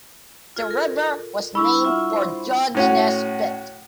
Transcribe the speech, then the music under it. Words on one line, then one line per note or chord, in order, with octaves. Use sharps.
The river was named for Dungeness Spit.
F4 G#4 A4
A#4
G3 D4 E4 B5 C#6 E6
F4 E5 F#5
C5 C6
A2 C#4 F#4